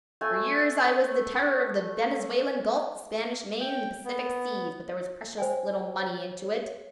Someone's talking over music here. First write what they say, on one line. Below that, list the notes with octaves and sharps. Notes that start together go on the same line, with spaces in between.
For years I was the terror of the Venezuelan Gulf, the Spanish Main, an' the Pacific seas, but there was precious little money into it.
A3 G#5
G5
B3
C5 C#5 G5 G#5